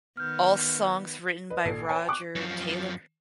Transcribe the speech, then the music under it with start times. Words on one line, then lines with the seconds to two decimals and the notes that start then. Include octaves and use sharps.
All songs written by Roger Taylor.
0.17 D#3 B3 F6 G6
1.50 B4 D#5
1.65 A#1 A4 G#6 C7
1.89 B4 C#5 G5 G#5 A#5
2.08 C#6 D6 F#6
2.35 F#2 F3